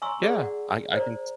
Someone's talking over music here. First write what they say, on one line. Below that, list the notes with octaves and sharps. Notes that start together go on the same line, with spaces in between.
Yeah, I I can
G#5 A#5 C6 C#6 E6
G#4 D5
F#5
A#4 C5 D5 A#5